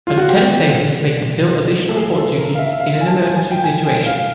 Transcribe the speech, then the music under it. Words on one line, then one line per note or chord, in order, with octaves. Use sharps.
A Lieutenant Bailiff may fulfil additional court duties in an emergency situation.
F4
F#4
G4
A4
G#4
A4
A#4
F5
E5
E5
F5
G#5
A5
G#5
G5
G#5
G5
F5